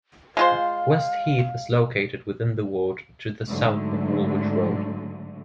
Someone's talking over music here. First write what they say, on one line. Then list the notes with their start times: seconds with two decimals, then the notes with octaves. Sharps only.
West Heath is located within the ward to the south of Woolwich road.
0.37 G#3 F4 C5 F5
3.48 G#2 D3 F#3 A3